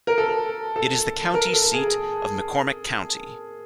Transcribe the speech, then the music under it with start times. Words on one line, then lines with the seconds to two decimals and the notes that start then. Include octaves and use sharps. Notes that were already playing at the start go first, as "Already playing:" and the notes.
It is the county seat of McCormick County.
0.07 A#4
0.18 A4
0.76 A4
1.34 A#4
1.53 A4
1.73 G#4